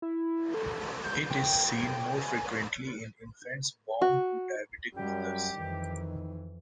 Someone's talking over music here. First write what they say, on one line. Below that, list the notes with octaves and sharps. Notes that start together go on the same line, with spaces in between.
It is seen more frequently in infants born to diabetic mothers.
E4
A4
G6
G5
G#5
F#4
F#2 G3 G4
F2 D#3 E3